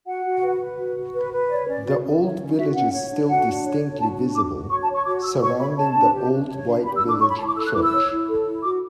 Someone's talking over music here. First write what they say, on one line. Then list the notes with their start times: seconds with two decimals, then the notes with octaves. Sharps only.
The old village is still distinctly visible, surrounding the old white village church.
0.07 F#4 F#5
0.25 F#4
0.42 B4
0.60 B4
0.78 F#4
0.96 F#4
1.14 B4
1.32 B4
1.49 C#5 D5
1.67 C#4 D5
1.86 F#4
2.03 C#4
2.21 C#5
2.39 C#4
2.56 F#4 E5
2.74 C#4 F#5
2.92 C#5
3.10 D4
3.28 F#4 F#5
3.46 D4
3.64 C#5
3.82 D4
3.99 F#4 A5
4.17 D4
4.35 F#4 D6
4.53 F#4
4.71 C#5 C#6
4.82 A5
4.88 C#5
4.95 C#6
5.06 F#4 D6
5.24 F#4 E6
5.42 C#5 C#6
5.59 C#5 B5
5.78 C#5 A5
5.95 D4
6.13 G4
6.31 D4
6.49 C#5
6.67 D4
6.85 G4 B5
6.97 E6
7.03 D4
7.09 D6
7.20 C#5 C#6
7.29 B5
7.38 E4 A5
7.47 D6
7.56 A4 E6
7.65 F#6
7.74 E4 D6
7.83 E6
7.92 C#5
8.10 E4
8.27 A4
8.45 E4
8.63 F#4 D6